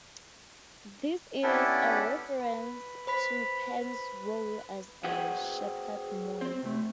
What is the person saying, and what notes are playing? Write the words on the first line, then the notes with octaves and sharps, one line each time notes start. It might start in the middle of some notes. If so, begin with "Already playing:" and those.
This is a reference to Pan's role as a shepherd moon.
B3 C#4 D4 E4 G4 A4
B4
C5 B5 B6
F#4 G#4 B4 C5 F#5 G5
C4 C5
C3 A3